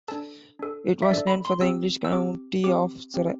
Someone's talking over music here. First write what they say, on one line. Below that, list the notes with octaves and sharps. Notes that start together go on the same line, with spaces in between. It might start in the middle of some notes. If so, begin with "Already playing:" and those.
It was named for the English county of Surrey.
D4 A4 A5
D4 A4
E5
D4 A4 D5
B5
C6
C4 G4 E6
E6
C4 G4 D6
C4 G4 D6
C4 G4